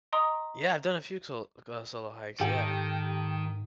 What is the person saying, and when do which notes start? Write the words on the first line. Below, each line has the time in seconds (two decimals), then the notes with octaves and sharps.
Yeah, I've done a few tol uh, solo hikes, yeah.
0.13 D#5 A#5 C6 D#6
2.40 G#2 D#3 G4 A4